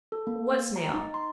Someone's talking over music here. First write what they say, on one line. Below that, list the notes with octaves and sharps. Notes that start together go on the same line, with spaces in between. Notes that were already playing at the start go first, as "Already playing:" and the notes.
"What snail?"
A4
A#3
A#5
D#4
C6